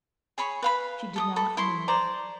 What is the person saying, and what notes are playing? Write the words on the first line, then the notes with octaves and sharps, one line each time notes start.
She did not move.
G#4 C#5 B5 C#6
B4 F5 B5
A4 D6 D#6
A4 B5
E4 C6 C#6
C5 D5 A#5